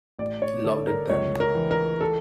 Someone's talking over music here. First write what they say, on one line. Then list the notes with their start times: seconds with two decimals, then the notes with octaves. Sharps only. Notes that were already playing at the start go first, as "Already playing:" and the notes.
Loved it then.
0.19 A1 D5
0.42 C#5
0.64 D3 A4
0.87 A#4
1.10 C#2 C#5
1.40 A#4
1.55 E3
1.71 A#4
2.01 A4